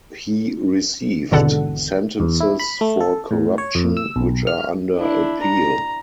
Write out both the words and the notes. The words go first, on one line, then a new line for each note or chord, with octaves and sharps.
He received sentences for corruption, which are under appeal.
G#1 E2 B2 D3 A4 F#5
E2
E4
B5
A3
A4
A2
C#5
F2
E6
B1
F6
D4 E4
A#5